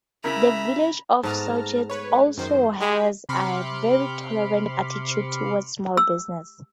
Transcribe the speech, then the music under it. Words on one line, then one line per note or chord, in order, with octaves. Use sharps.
The Village of Sauget also has a very tolerant attitude toward small business.
C#3 E4 A#4 E5 A#5 B5
G#2 A3 B3 A5 A#5 F6
B4 C#5
F#2 D#3 C5
G#3 G4 G#4 B5
C3 B5 C6 D6 F6 C#7
E6